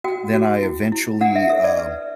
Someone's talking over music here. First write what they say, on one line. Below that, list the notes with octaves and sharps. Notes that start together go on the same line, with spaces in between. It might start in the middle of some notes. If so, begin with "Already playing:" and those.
then I eventually, um,
F#4 G5
F#4
E4
E4
D4 F#5
E5
A4 E5
D5
B4